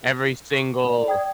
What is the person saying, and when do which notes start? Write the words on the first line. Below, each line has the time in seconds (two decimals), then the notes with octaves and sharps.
every single
0.53 C#6
0.89 D5
1.08 G5 D#6 G#6